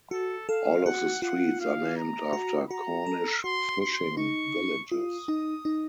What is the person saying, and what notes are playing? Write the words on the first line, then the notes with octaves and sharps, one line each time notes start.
All of the streets are named after Cornish fishing villages.
F#4 A4
A4 F5
F#4 F#5
F4 F#5
F5
A#5
F#4
F#4 A#5
A4
F#4 C6
C6
D#4 C#6
F4 D#6
D#4
D#4